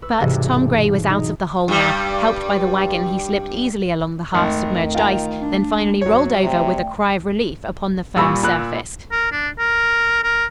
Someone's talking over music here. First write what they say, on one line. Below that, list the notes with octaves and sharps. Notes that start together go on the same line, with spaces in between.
But Tom Gray was out of the hole now; helped by the wagon he slipped easily along the half-submerged ice, then finally rolled over with a cry of relief upon the firm surface.
B4 C#6 E6
B1 G#2 C3 E3 F#3 G3
D#4
G2 G3
G#1 F2 D#3 A3
F4 G5 A#5
D4
F#2 F#3 C#5
C3 A3 D5 G5
A#2 G3 G#5 B5 C#6 E6
A#2 B5 F#6
A#4
D4
A#4
A#4